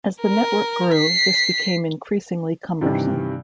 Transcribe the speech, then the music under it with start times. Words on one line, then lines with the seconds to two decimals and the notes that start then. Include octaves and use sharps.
As the network grew, this became increasingly cumbersome.
0.22 A#4
0.94 B6 C7
2.81 G2 C3 D#3 E3